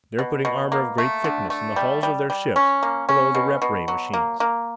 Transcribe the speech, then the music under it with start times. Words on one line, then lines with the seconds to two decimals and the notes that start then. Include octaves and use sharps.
They're putting armor of great thickness in the hulls of their ships below the rep-ray machines.
0.19 B2
0.45 B2
0.72 A#3
0.98 A3
1.24 D3
1.50 A3
1.76 G3
2.03 G3
2.30 G3
2.56 C#4
2.83 A#3
3.09 C#4
3.35 B2
3.62 B2
3.88 F#3
4.14 A#3
4.40 A#3